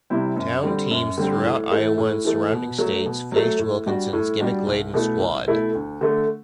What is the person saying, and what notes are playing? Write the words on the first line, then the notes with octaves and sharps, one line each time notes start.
Town teams throughout Iowa and surrounding states faced Wilkinson's gimmick-laden squad.
C3 G3 C4 E4
F#2
D3 G3 C4
F#2
D3 G3 C4
A2
E3 A3
A2
E3 A3
B2
F#3 A3
B2
F#3 A3
A2
G3 D4 F#4
A2
G3 D4 F#4
C2
B2 A3 E4
C2
B2 A3 E4
D2
D3 A3